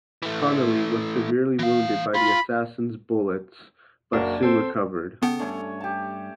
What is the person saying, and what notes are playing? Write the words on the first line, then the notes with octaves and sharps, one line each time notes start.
Connally was severely wounded by the assassin's bullets but soon recovered.
E3 A3
E3 F5
F4 B5
F#1 A#3 D4 F#4
C4 A4 C5
C#3 B3 A4 G5
G2 A3 C#4 D4 C#5
G4 A5